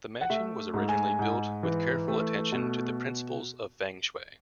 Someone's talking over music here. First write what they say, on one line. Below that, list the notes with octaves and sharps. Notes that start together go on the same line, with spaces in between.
The mansion was originally built with careful attention to the principles of Feng Shui.
F#5
A3 E5
G#2
G#5
G#2
E3
A3
B2